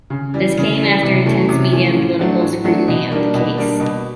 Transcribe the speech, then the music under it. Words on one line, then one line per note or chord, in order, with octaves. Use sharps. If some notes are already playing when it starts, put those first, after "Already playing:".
This came after intense media and political scrutiny of the case.
C#3
E3 G3
C#3
E3 G3
C3
E3 A3 C#4
C3
E3 A3 C#4
A2
F#3 A3 D4 F#4
A2
F#3 A3 D4 F#4
B2
G3 A#3 D4
B2
G3 A#3 D4
B2